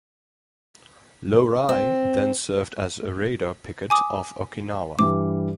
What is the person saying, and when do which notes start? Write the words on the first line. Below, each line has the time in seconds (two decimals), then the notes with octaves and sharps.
"Lowry" then served as a radar picket off Okinawa.
1.69 C4
3.90 G#5 D6 D#6
4.99 G2 E3 G3 D6